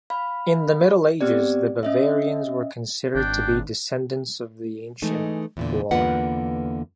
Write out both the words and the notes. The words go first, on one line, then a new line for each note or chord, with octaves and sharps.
In the Middle Ages, the Bavarians were considered to be descendants of the ancient Boier.
F5 B5
B3 C4 G4 D5
C#4 D#5 E5
G#1 D4 G5
E3 G#3 A3 D#4
E2 A#2 D3
E2 D3 A#3 F4 B4 F#5